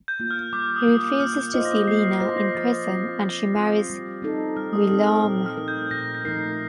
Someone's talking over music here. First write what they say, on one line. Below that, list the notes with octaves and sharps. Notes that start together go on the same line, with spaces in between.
He refuses to see Lina in prison and she marries Guillaume.
G6
A#3 F4
F6
G3 D6
D#6
A#3 F4
D#6
A#3 F6
F4 C5 D#5
A#6
A#3 C7
C7
F4 C5 D#5 A#6
A#6
F3 A6
C4 F4
F3
C4 F4
G3
C4 D#4 A4
G3 F6
D#6
C4 D#4 A4 D#6
F6
A#2 F6
F6
F3 A3 D#4 A#4
G6
A#2 A#6
A#6
F3 A3 D#4 A#4 C7